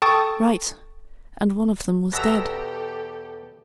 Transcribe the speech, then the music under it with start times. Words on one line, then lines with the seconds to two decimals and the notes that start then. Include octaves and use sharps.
"Right! and one of them was dead."
0.02 A4 G5 A5 C#6 D#6 A6
2.13 E2 B2 B3 G4 A4 A#5 E6 A#6